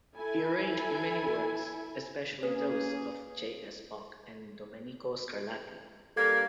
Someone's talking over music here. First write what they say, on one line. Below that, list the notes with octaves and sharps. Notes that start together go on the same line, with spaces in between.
He arranged many works, especially those of J. S. Bach and Domenico Scarlatti.
E4 A4 G#5
A#3 C#4 G#4 B4
G2 G3 A#3 A4 G#6